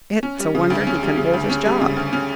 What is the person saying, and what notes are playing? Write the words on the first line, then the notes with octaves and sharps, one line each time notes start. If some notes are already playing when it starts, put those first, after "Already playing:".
"It's a wonder he can hold his job."
C#4
G3
C#3
D2
C#4
G3
C#3
D2
C#4
G3
C#3
D2
C#4